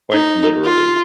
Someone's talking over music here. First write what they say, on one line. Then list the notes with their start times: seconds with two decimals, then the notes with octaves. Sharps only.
Quite literally.
0.12 D#4
0.64 F4